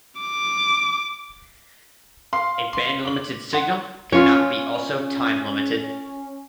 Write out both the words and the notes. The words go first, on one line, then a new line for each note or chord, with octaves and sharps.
A bandlimited signal cannot be also timelimited.
D6
F5 C6
C6
D6 F#7
F#5 C6
C#4 F4 C#5